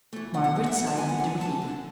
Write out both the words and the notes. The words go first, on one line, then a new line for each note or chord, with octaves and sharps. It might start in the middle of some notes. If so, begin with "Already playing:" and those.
Margaret sighed with relief.
E3 A3
B2 F#5
F#5
G#3 B3 F#5
E5
B2 F#5
A5
G#3 B3 G#5
F#5
D3 G#5
A3 A5
D3